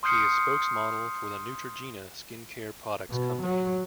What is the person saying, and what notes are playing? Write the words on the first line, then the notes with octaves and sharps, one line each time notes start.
She is a spokesmodel for the Neutrogena skin care products company.
C6 D#6 F6 G6 C7 C#7
B2
F#3